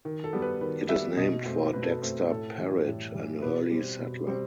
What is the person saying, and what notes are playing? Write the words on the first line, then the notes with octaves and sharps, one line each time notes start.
It is named for Dexter Parritt, an early settler.
D#3
A4
G3 B3
B4
D#3 B4
G3 B3 E5
B2 D#5
A3 C4 C5
B2 B4
A4
B4
A3 C4
A2 A4
E3 G3
A2
E3 G3
B2 B4
G3 C4
B2
G3 C4